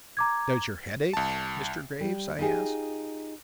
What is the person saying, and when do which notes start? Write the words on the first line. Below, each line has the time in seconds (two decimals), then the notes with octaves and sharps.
"Does your head ache, Mr. Graves?" I asked.
0.17 A#5 D6 G#6
1.13 C2 A5
2.00 G3
2.39 D#4 F4 G4 G#4